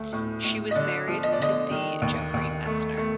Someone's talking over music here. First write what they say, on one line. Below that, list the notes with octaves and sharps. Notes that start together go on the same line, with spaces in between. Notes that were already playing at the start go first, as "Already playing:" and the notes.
She was married to the Jeffrey Metzner.
Already playing: D2 A3
A2
A2
D#5
D3 D5
F3
D#5
D5
D3 D#5
D#3
D#2
D#2
A3
A3